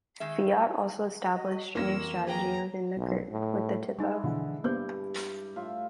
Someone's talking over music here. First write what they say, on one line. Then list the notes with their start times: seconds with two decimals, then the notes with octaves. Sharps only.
Fiat also established a new strategy within the group with the Tipo.
0.20 D#3 G#3 E5
1.35 F#4 D#5
1.75 F2 E3 A#3 C#4 F4 E6 A#6
2.27 G#4 B4 G5 A#5
2.97 B1
3.31 A2
3.99 G3 G#3 D#4 E4 G#5
4.24 B2 D3 E3 F3
4.64 G2 A#3 B3 C5 G6
5.56 A2 F4 E5